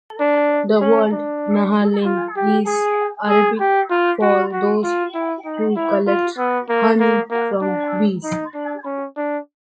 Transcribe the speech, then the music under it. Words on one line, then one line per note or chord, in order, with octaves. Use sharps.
The word "nahaleen" is Arabic for those who collect honey from bees.
D4
C#4
D4
F4
G4
G#4
G#4
G4
F4
F#4
F#4
F4
E4
D#4
E4
F4
B3
A#3
A#3
A#3
D4
D#4
D4
C#4
D4